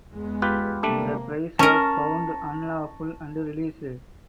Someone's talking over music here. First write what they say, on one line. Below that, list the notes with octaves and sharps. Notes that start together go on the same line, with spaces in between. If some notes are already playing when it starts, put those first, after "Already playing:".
The prize was found unlawful and released.
E2 G#3 B3
F4 G4 B4
C3 G3 A3 A#3 D4
C#4 A#4 A5 A#5 C#6